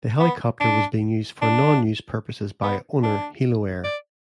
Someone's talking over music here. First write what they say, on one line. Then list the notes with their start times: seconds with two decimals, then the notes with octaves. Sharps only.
The helicopter was being used for non-news purposes by owner Heloair.
0.20 B3
0.60 D4
1.42 D4
2.63 B3
3.03 D4
3.84 D5